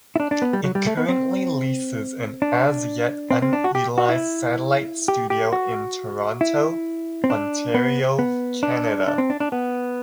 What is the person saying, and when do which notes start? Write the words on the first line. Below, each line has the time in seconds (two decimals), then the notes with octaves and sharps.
It currently leases an as-yet unutilized satellite studio in Toronto, Ontario, Canada.
0.16 E4
0.20 D4
0.31 D4
0.42 B3
0.53 G3
0.64 F#3
0.75 G3
0.87 A3
0.97 B3
1.09 C4
2.42 D4
3.31 C4
3.42 C4
3.53 D4
3.64 F#4
3.75 G4
3.98 F#4
4.09 E4
5.08 G4
5.30 G4
5.53 F#4
6.41 E4
7.24 C4
7.30 D4
7.74 B3
8.19 B3
8.63 D4
9.07 D4
9.18 C4
9.30 D4
9.40 D4
9.52 B3